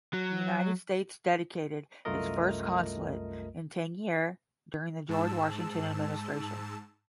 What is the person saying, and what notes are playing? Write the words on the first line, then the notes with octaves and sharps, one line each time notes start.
The United States dedicated its first consulate in Tangier during the George Washington administration.
F#3
C2 F#2 A3 F4 A#4 D#5
G#2 A5 E6